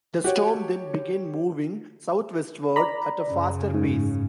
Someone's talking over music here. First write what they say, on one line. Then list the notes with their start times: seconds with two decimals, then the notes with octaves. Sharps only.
The storm then began moving southwestward at a faster pace.
0.24 F#4 G4 C#5
2.76 D5 A#5 B5
3.26 F#2 C#3
3.74 G#2